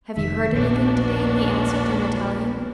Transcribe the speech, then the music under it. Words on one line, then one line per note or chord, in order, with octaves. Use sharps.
"Have you heard anything to-day?" he asked in Italian.
F1 D#3 E5
A#1 D#2 B2 C#4 D4 F#4